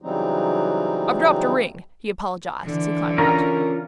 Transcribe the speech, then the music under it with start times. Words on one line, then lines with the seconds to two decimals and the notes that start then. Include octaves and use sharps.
"I've dropped a ring," he apologised, as he climbed out.
0.02 C#3 E3 F#3 G3 C4 D#4
2.64 D3 E3
3.18 C#4 F4 A#4 A#5